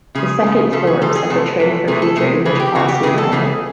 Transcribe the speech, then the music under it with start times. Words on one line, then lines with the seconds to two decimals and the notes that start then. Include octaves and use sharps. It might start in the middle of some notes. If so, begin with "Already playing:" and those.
The second form set the trend for future English policy in Ireland.
0.15 C#3 F3 A3 G#4
0.44 C#3 F3 A3
0.72 C#3 F3 A3 A4
0.87 G#4
1.01 C#3 F3 A3 A4
1.16 G#4
1.30 C3 E3 A3 A4
1.60 C3 E3 A3
1.87 C3 E3 A3 G#4
2.02 A4
2.16 E3 A3 G#4
2.21 C3
2.45 C#3 E3 A3 G#4
2.60 G4
2.75 C#3 E3 A3 F#4
2.88 G4
3.03 C#3 E3 A3 G#4
3.18 A4
3.32 C#3 E3 A3 G#4